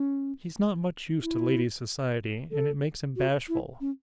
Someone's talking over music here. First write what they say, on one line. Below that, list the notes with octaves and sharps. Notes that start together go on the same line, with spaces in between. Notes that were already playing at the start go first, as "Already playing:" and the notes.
'He's not much used to ladies' society, and it makes him bashful.
Already playing: C#4
E4
A4
F#4
E4
C#4